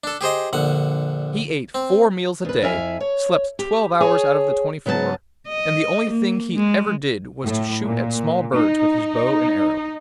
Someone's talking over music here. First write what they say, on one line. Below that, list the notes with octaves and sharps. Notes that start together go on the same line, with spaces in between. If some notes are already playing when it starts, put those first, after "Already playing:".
He ate four meals a day, slept twelve hours out of the twenty-four, and the only thing he ever did was to shoot at small birds with his bow and arrow.
D4 A4
G4 G#4 C5 D#5
A#1 D3 F#5
C4
E2 B4
F2 E4 E5 F5 G#5
C#5
G4
G#4 C#5 G#5 A5
C#3 F#3 B3 D5 A5
D#5
A#3
G#3
A2
A#2
D#4